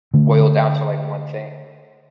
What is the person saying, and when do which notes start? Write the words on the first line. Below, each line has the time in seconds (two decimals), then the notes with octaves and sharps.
boil down to, like, one thing.
0.14 D3 A3